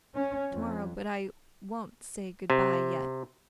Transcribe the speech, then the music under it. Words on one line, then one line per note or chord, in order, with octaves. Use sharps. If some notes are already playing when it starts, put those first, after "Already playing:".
Tomorrow--but I won't say good-by yet.
C#4
F2
C3